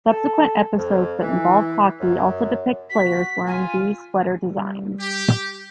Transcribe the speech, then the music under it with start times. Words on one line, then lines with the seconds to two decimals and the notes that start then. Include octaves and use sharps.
Subsequent episodes that involve hockey also depict players wearing these sweater designs.
0.09 A4
0.77 F2
1.20 E3
1.99 F#2
2.90 F#4 B6
3.47 F4 G#5
4.50 G3
5.00 G4